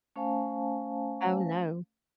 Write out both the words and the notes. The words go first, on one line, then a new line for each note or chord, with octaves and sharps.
Oh, no.
A3 C#4 C5 F5 G#5 A5